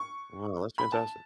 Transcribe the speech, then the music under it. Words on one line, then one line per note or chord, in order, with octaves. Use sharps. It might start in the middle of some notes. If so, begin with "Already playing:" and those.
Wow, that's fantastic.
Already playing: C#6
B5
A5